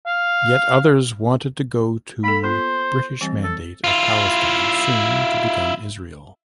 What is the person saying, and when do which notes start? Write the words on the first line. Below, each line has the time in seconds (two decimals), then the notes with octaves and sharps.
Yet others wanted to go to British Mandate of Palestine soon to become Israel.
0.07 F5
2.24 A#3 A4 B5
2.44 B3 F4 C5
3.21 E3 G3 C4
3.43 A4
3.84 E4 F4